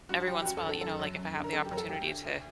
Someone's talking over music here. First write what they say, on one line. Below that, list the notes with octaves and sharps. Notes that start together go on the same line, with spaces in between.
every once in while, know, like if I have the opportunity to,
G2 F#4
F#4
F#3 G4
G4
F#2 F#4
A4
D3
A4
F#2 A4
F#3
F#2
D3
A#4
F#2 A4
G4
F#3 A#4
A4
D2 G4
D3
D2